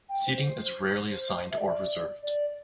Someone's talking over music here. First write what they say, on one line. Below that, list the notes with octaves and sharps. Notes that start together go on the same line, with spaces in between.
Seating is rarely assigned or reserved.
G5
C5
C5
E5
D5
D5